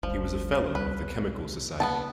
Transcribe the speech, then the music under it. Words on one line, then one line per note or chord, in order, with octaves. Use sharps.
He was a fellow of the Chemical Society.
G1 D2 F3 G3
C2 B4
E2
C#2 C#3 A#3 B3 G5 A5